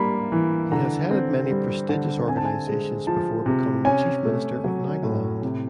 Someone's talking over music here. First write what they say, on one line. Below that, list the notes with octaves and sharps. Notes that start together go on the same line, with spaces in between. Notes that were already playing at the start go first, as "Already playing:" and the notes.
He had headed many prestigious organizations before becoming the Chief Minister of Nagaland.
Already playing: G3 A#3 D4 B5
E3
D3 A#5
C4
G3
D3
C4 G#5
A5
G#5
G#3
F3 A5
C3
C#4 G#5
A3
F#3
A2
C3